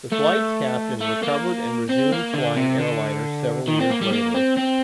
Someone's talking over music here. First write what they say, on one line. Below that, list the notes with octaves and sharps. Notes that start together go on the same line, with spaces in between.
The flight's captain recovered and resumed flying airliners several years later.
A3
A3
A#3
C4
A#3
D3
C3
D3
D#3
C4
A#3
G3
A#3
C4
C4